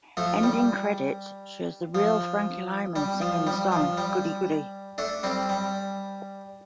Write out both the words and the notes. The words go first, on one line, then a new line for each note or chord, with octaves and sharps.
Ending credits shows the real Frankie Lymon singing his song Goody Goody.
F3 A3
G3
F3
G3
F3
G3
F3
G3
A3 D4
G3 C4
G3